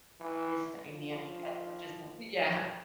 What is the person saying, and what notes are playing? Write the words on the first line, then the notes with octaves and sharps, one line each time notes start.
this dynamic as much as I" Yeah.
E3
F3